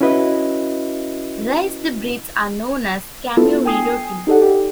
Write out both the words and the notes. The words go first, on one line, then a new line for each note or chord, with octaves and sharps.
Raised breads are known as "khamiri roti".
C#4 E4 F#4 B4 D#5 E5
B3 D4 E4 F4 A4
G5 G#5 D#6 C7
D#4 G4 A4 D5 F#5
G4